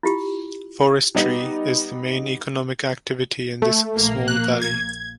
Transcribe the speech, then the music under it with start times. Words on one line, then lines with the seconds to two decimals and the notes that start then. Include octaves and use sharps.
Forestry is the main economic activity in this small valley.
0.03 E4 F4 G4
1.15 G3 B3 D#4
3.62 A3
3.95 A#1 A#3
4.28 F#6
4.62 G#6